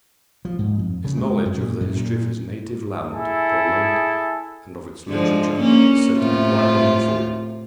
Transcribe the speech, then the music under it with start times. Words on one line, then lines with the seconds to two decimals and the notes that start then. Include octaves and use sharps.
His knowledge of the history of his native land, Poland, and of its literature is said to be quite wonderful.
0.45 F3
0.59 G#2
0.79 F2
1.04 C#3
1.17 G#3
1.46 F#2
1.58 A#2
1.81 F#2
1.97 A#2
3.11 E4 G#4 A4
5.09 D3 F3 G#3
5.59 A#3 C#4
6.18 A2 C3 F4